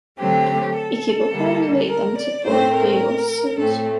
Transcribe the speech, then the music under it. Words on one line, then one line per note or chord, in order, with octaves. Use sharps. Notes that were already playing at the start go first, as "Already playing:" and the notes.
A cable car relayed them to Bourg-d'Oisans.
D3 F#3 A3 C4 G4
A4
D3 G3 A#3
A#4
D5
A2 A3 C4 C5
A#4
A2 A3 C4 A4